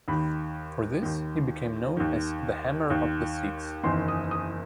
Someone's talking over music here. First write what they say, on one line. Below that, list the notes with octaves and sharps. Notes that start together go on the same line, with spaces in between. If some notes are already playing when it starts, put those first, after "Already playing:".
For this, he became known as the 'hammer of the Sikhs'.
D#2 D#3 B5
D#2 D#3
D#2 D#3
D#2 D#3
F#1 E2 D#3 C6
D#6
D#6